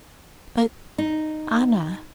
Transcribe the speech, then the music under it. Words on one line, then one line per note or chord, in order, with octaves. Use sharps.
"But, Anna..."
D#4